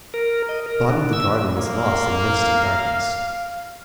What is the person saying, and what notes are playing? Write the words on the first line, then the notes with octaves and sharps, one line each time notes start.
The bottom of the garden was lost in mist and darkness.
A#4
D#5
A#4
D4
E6
A#3 F5